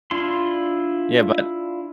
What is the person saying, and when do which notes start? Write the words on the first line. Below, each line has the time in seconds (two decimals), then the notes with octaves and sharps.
Yeah, but
0.11 D4 E4 F4 C6